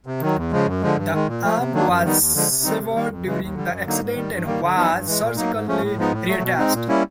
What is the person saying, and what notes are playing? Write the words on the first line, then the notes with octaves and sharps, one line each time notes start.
The arm was severed during the accident and was surgically reattached.
C3
D#3 F#3
E2
C#3 F3 G#3
F#2
D3 F3 G#3
G2
D#3 G#3
A#2
F3 A3
C3
D#3 F#3 A#3 D4
F#2
D#3 G3 B3 D#4
D#2
D3 F3 G#3
C3
D#3 G3 C4 D#4
C3
D#3 G3 A#3
F2
C#3 E3 G#3
D#2
D3 G3
F#2
D3 F#3 A#3 D#4
G#2
D#3 G3
G2
D#3 G3 A#3
D3
F#3 B3 D#4
G2
E3 G#3
A#2
F#3 A#3 D#4
G#2
F3 A3 C#4
A2
F3 G#3 B3 D#4
A2
F#3 A3
B2
G#3 C4 D#4
A#2
G3 A#3 C#4 E4